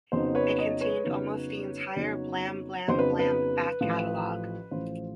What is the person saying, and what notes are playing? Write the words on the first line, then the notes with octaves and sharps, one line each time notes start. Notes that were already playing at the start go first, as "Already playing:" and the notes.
It contained almost the entire Blam Blam Blam back catalogue.
F2 C#3 F#3 B3 D#4 C5
B4 C#5
C#5 D#5
B4 C#5
F2 C#3 F#3 B3 D#4
F2 C#3 F#3 B3 D#4
F2 C#3 F#3 B3 D#4 C5
B4
B4
A1 A2 F3
A1 A2 F3 C5